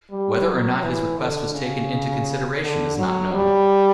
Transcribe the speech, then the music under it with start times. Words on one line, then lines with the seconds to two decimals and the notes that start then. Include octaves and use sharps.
Whether or not his request was taken into consideration is not known.
0.11 G3
0.46 F#3
0.83 E3
1.19 D3
1.55 C#3
2.63 D3
2.98 F#3
3.34 G3